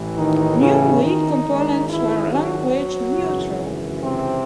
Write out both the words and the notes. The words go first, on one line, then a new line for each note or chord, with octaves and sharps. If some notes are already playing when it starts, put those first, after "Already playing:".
Newi components were language-neutral.
Already playing: A1 A2 E3
D#3 D#4
C#3 C#4
D#3 D#4
G#1 G#2 D#3
E3 E4
F#3 F#4
G#1 F#2 C#3 E3
C3 C4